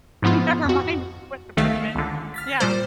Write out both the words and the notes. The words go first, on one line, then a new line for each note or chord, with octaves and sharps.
Never mind what to put them in. Yeah.
G#2 F3 B3 E4 F4
F2 F#4
C2 D#3 A3 A4 F5
C#2 D3
F6 A6 B6
A#2 G3 C5